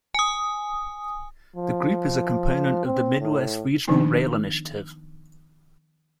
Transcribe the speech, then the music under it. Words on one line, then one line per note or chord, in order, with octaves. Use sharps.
The group is a component of the Midwest Regional Rail Initiative.
G#5 D#6
F3
C4
A2
D#3 F3 B3 D4 D#4